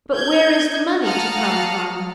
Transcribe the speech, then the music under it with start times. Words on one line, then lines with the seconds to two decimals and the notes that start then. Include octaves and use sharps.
But where is the money to come from?
0.13 G6 G#6
1.01 F5 F#5 A5 A#5 D#6 F6